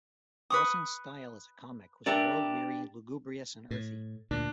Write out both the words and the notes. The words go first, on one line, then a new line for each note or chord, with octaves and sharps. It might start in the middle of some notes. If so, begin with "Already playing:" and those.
Dawson's style as a comic was world-weary, lugubrious and earthy.
B4 C#6 D#6
D4 G4 A4 A#4 D5 E5
A2
D2 A#2 D4